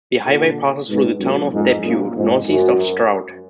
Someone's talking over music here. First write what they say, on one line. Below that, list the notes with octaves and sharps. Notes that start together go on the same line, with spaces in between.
The highway passes through the town of Depew northeast of Stroud.
A#2 D3
G#2 B2
F#2 A#2
F2 G#2
F#2 A#2
F2 G#2
F#2